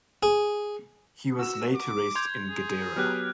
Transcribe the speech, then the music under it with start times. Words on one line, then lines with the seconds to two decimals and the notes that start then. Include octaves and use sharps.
He was laid to rest in Gedera.
0.23 G#4
1.39 F#4 E6 E7
1.75 D6
2.15 C6 G6 G#6 F7
2.50 G#4
2.96 F#3 B3 G4 F6 F#6